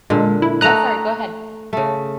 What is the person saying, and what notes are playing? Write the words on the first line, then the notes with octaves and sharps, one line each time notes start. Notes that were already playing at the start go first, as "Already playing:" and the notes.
Oh, sorry, go ahead.
A#2 D3 G#3
E4
A3 D#5 A#5 F#6
C#3 A3